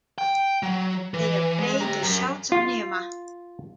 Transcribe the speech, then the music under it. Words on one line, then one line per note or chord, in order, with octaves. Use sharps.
They obeyed the shouts of Niamh.
G5
F#3
E3
G#3
G4 A#5
F#2
F4